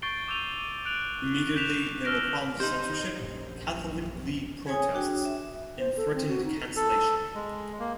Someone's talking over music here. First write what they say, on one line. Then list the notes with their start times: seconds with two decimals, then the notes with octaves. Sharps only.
Immediately there were problems with censorship, Catholic League protests, and threatened cancellation.
0.02 C#6 G6 A6 C7 D7 G7
0.28 D6 E6 G6 D#7 F7 G7
0.85 F#6 D7 F7 F#7
1.55 F#6 G6 B6 E7 F7
2.04 E6 F6 A#6 D7
2.60 D#4 G4 C5 F#7
3.17 A#1 F#2
4.67 G#4 C#5 G#5 D#6
4.94 D4 F#4 G5
5.25 E5
5.79 C5
5.97 A4
6.15 C4
6.28 F#4
6.45 D#4
6.76 A4
7.35 G#3
7.79 A#3